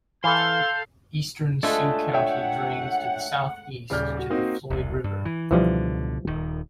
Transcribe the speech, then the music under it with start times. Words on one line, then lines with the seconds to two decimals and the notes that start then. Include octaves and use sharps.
Eastern Sioux County drains to the south east to the Floyd River.
0.24 E3 A4 F5 C6 G6
1.63 G#3 A3 D4 F4 A4
2.13 C#5 E5 F#5 G5
3.90 D#1 C#3 D5 F6 G6
4.17 F#4
4.30 A#3 C4 D#4 F#4
4.70 E1 C2
5.04 G2
5.25 E3
5.51 C#2 B2 D3 E3 F3 G3
6.27 D#1 D#3